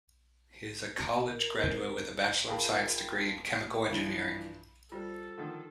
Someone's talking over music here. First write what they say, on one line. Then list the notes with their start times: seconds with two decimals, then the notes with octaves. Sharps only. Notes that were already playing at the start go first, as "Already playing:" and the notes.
He is a college graduate with a Bachelor of Science degree in chemical engineering.
1.23 A#4
1.63 G2 C4
2.47 F4 G#4 A#4 G5 A5 B5
3.90 G2 E3 F3
4.92 G3 F4 A4 C5
5.38 D3 D#3 F3